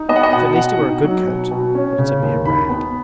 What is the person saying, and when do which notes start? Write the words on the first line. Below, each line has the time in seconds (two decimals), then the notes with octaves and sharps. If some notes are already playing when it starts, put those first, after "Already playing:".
'If at least it were a good coat, but it's a mere rag.'
Already playing: D#4
0.09 B3 D#5
0.16 F#5
0.23 D#5
0.33 B2 F#5
0.56 B2 F#5
0.79 D#4
1.04 F#3
1.27 B2
1.51 B2
1.75 C#4
1.98 C#3
2.22 D#2
2.46 D#4 B5
2.69 B3